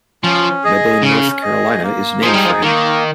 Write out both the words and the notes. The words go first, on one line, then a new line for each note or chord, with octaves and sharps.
Mebane, North Carolina is named for him.
F3 C#4
G#4 D#5
C#3 C#4
G#4 D#5
A#3
F3 D#4 G#4
G3
F3
D#3 A#3